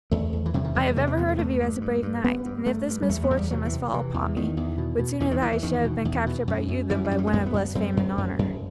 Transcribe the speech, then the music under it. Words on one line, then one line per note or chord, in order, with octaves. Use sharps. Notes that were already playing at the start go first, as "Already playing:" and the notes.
"I have ever heard of you as a brave knight, and if this misfortune must fall upon me, would sooner that I should have been captured by you than by one of less fame and honour."
E2 A3
E2
E3
C3 F#3
D#3
E2 E3
G3
C3 A3
C4
E2 B3
A3
G2 A3
G2
G2
G2
G2 B3
G2
G2 A3
G2
G3
E2 A3
B3
E2
G3
C3 F#3
E3
C3
C3 E3
E2
E2 D#3
E2
B2
B2
E2 E3
D#3
E2 E3
E3
E2 D#3
B2
E2
B2
F#2
F#2
F#2 E3
E3
F#2
G3
A3
F#2 B3
B3
F#2
F#2 C4
F#2
F#2
F#2